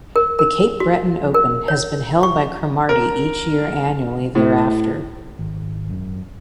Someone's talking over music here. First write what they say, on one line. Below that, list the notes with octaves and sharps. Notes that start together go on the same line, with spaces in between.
The Cape Breton Open has been held by Cromarty each year annually thereafter.
A#4
A#4
F#4
A#4
C#5
C#6
A#4
A2
G#1
F#2